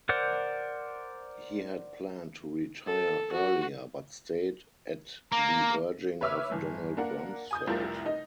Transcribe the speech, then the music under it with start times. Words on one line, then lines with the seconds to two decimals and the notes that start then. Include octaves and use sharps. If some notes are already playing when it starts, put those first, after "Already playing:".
He had planned to retire earlier, but stayed at the urging of Donald Rumsfeld.
0.09 A#4 C5 D5 F#5 G6
2.87 A4
3.33 F#4
5.32 A#3 A#5
6.21 B4 C#5 E5 D6 E6 F6
6.52 G1 E3
6.97 A#3 D4 A#4 F#5
7.51 G#5 D#6 G6
7.67 F1 C2 E4 F4 A#4 A6
8.05 D#4 D#5